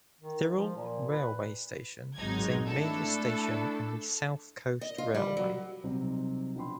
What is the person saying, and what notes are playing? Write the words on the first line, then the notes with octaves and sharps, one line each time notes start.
Thirroul railway station is a major station on the South Coast railway.
D#3
F3
A#2
B4
G#1 F#3 G#3 D#4 G#6
A3 D4 E4 A4
D#5
F4
G3
F#3
C3 F#3 G3 C4 D#4
B2 F3 D4 G5 B5 C6